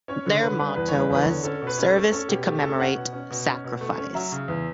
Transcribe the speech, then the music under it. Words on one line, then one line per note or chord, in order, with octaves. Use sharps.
Their motto was "Service to Commemorate Sacrifice".
C#4 C#5
D3 C#5
D3 B4
G3 B4
E2 B4
C#5
G3
B4
E2 B4
C#5
D3
C#4 A4
B2
B4
C#4
A4
A3
C#4 A4
B2 G4
A3 G4
C#4 A4
C#4 F#5
B2
C#4
B2
C#4
B2
A3
C#4
F#3 E5
C#3
E2